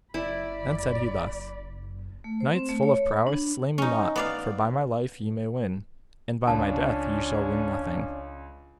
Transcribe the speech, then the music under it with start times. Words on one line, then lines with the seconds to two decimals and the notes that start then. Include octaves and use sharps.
Then said he thus: Knights full of prowess, slay me not, for by my life ye may win, and by my death ye shall win nothing.
0.14 F#1 E4 D5 B5
2.24 A3
2.40 C5
2.53 C4
2.69 A3
2.83 C#5
3.10 B5
3.27 D4
3.78 C#4 D#4
4.16 B3 D5 F5
6.47 C#2 C#4 D4 A5